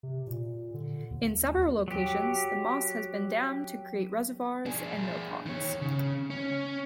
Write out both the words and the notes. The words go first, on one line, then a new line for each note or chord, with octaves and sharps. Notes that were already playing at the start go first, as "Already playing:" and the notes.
In several locations, The Moss has been dammed to create reservoirs and mill ponds.
C3
A#2
D3
D#2
F#3 G4
D4 G#4
D#3 C#5
C#3
C#4